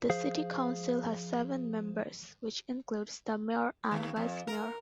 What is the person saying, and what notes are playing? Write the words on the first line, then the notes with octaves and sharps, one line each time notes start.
The city council has seven members, which includes the mayor and vice-mayor.
F3 G#4 C5 F5
D#2
F2
A#4